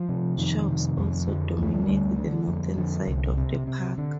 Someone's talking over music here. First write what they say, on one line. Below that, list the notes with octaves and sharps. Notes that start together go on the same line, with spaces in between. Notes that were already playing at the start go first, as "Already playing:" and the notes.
Shops also dominate the northern side of the park.
Already playing: F3
C3
F2 D#3
C3
F2
D3 F3
D2 A3
G3
D2
D3
F2
D3
C2
C3
C3
D3